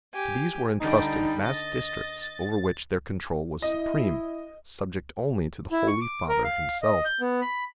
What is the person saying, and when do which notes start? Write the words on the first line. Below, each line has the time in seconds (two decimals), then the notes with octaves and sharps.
To these were entrusted vast districts over which their control was supreme, subject only to the Holy Father Himself.
0.14 G4 G#5
0.80 D3 G3 D#4
1.45 D#5 A6
3.62 E4 D#5
5.72 E4
5.88 C#6
6.01 D6
6.29 A#4
6.44 F5
6.83 D#5
7.05 G6
7.21 B3
7.41 B5